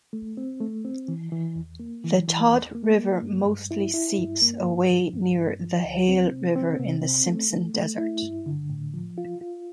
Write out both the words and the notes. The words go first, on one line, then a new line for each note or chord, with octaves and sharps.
The Todd River mostly seeps away near the Hale River in the Simpson Desert.
A3
C4
A3
C4
E3
E3
E2
A#3
E3
E3
E2
A#3
A#3
G2
G2
E4
E4
G2
A#3
G2
F3
G2
G2
F3
D2
C4
C3
C4
C3
C4
A3
A3
A3
E4
G2
D3
A2
F3
F4
F4